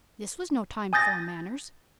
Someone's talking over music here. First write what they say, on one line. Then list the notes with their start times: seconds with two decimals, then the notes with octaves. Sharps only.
This was no time for manners.
0.93 G#5 D#6 G6 A6 A#6